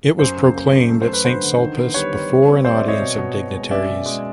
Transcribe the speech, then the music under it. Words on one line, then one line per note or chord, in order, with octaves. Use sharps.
It was proclaimed at Saint Sulpice before an audience of dignitaries.
F#2 C5
C#3
A#3
F#2
A3
C5
A3
B4
D3 C5
D3
D#3
B3
G3 B4 C#5
D#3
G3
C4
G3 C5 D5
D5 E5
C4
C#5 D#5
B2
B2
B2
G#3
C#4 D5 E5
B2
G#3